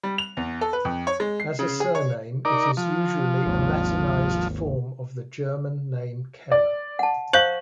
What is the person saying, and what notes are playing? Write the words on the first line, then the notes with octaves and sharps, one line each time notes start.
As a surname it is usually a Latinized form of the German name "Keller".
G3
F7
E2
A4
B4
F2
C#5
G#3
C7
C#3
G#4
C#5
D#4 A#4 D5
F3
G#1 D#2
D5
F#5 A5
C5 F5 C#6 F#6 G6 F#7